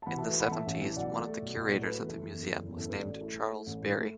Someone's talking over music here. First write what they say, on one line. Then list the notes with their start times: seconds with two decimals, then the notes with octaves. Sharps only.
In the Seventies, one of the curators at the museum was named Charles Berry.
0.02 A5
0.06 E3 F#5 B5
0.18 A3 E5 A5
0.29 F#4 B4
0.37 A3 F#5 B5
0.51 E3 E5 A5
0.66 A1
0.81 E3
0.96 B1 D5 F#5
1.11 A3
1.27 A3
1.42 B1
1.56 B1
1.71 A2
1.82 A4
1.87 A3 F#4 B4
2.01 E3
2.09 E4 A4
2.17 F#1
2.31 E2
2.47 F#1
2.62 E2
2.76 A1 E4 A4
2.89 A1 B4
3.00 A4 D5
3.06 A1
3.14 F#4
3.21 A3 E4 A4
3.37 A3
3.51 A3
3.66 A1
3.82 A2
3.96 A3